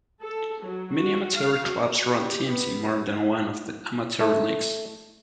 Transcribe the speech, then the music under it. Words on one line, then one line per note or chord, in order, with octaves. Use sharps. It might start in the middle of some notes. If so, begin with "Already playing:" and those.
Many amateur clubs run teams in more than one of the amateur leagues.
A4
F#3
F#4
F5
F#4
G4
B3
A3